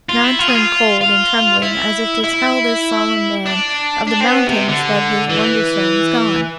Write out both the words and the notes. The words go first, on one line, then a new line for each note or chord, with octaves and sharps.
Nod turned cold, and trembling, as if to tell this solemn Man of the Mountains that his Wonderstone was gone.
F4
E4
F4
G#4
F4
F4
E4
E4
D4
D4
C4
B3
C3
D3
E3